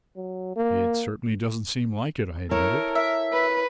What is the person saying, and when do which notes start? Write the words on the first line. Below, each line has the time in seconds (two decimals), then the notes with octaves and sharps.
"It certainly doesn't seem like it," I admitted.
0.16 F#3
0.56 A#3
2.51 E4 A4 A#4 C#5
2.95 E5
3.33 B4